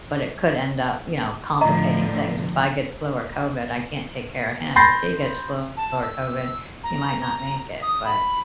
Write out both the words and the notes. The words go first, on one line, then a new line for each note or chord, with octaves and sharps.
but it could end up, you know, complicating things. If I get flu or COVID, I can't take care of him. If he gets flu or COVID, he might not make it," but
A2 D3 F3 D#5 A#5
B5 C6 G6 A6 A#6 C7
A5
E6
A#5
D#6
B5